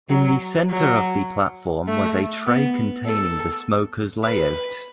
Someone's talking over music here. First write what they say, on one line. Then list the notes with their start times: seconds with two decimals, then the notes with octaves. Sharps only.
In the center of the platform was a tray containing the smoker's layout.
0.10 F#3
0.70 F#3
1.88 A3
2.47 B3
3.05 A4
4.25 B4